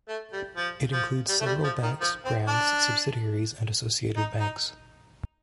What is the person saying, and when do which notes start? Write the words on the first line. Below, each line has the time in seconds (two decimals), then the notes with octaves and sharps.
It includes several banks, brands, subsidiaries and associated banks.
0.08 A3
0.33 G3
0.57 F3
0.93 F3
1.29 G3
1.40 A3
1.46 G3
1.64 F3
1.83 D#3
2.01 F3
2.25 C4
2.48 D4
4.16 D#4
4.40 D#4